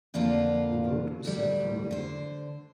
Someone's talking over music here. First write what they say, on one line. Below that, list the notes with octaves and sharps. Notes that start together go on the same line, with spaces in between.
The vote was set for May.
F2 D3 F3 A#3 D4 F4
D2 G3
D3 C5